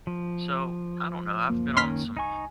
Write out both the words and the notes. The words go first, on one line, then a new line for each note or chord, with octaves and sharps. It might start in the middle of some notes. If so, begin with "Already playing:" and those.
so, I don't know, I've been on some
F3
C#2 F#2 A#3
D#3 C#4 C6 F6 B6
C2 D#4 G#5 C#6